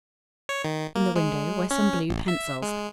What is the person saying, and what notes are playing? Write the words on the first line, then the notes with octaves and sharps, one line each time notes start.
In the window were some blue pencils.
C#5
D#3
A#3
G#3
C#4
A1
E5
G#3